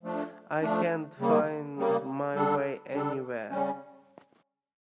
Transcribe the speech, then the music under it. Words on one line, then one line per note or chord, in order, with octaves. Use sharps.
I can't find my way anywhere!
F3 A3 D4
F3 A3 D4
C#3 G3 A#3
C#3 G3 A#3
D3 G3 D4 A4
D3 G3 D4 A4
C#3 G3 C#4